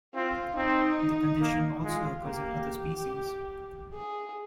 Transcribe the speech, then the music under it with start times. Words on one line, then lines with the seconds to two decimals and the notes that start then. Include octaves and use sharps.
The condition also occurs in other species.
0.14 C4 F4
0.56 C4 D#4
1.41 A#3
1.83 G#3 F4
2.25 A#3 G4
3.94 G#4